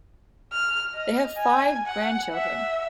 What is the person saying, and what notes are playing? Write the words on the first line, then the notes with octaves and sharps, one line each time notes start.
They have five grandchildren.
F6
D#5
G#5
F#5
E5